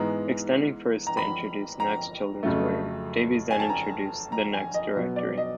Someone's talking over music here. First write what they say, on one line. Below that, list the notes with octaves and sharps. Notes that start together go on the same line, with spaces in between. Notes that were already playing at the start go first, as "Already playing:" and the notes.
Extending first to introduce Next childrenswear, Davies then introduced the Next Directory.
Already playing: G#2 E3 G#3 B3 A#5
A#5
B5
A#5
F2 C#3 F#3 A3
G#5
A5
A#5
A#5
G#5
D#5
B2 F#3 B3
D5
D#5